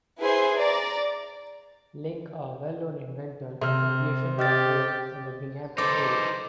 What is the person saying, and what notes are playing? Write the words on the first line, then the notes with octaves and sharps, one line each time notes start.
Link a well-known inventor and aviation pioneer in the Binghamton area.
E4 G#4 B4 C5 G#5 C6
D5 A#5
C3 E5 F6
G4 D#5 F6 A6
E3 D#4 A4 C5 D6